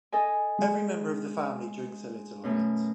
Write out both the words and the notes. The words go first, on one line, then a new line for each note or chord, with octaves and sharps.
Every member of the family drinks a little of it.
A4 D#5 G#5
G#3
F#2 B2 A3